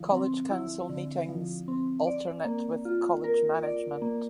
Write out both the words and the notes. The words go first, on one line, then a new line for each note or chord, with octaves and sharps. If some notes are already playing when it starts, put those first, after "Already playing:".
"College Council" meetings alternate with "College Management".
Already playing: D3 F3 E4
C4
E4
D3
F3
C4
D5
A#3
F4
A#4
D5
A#3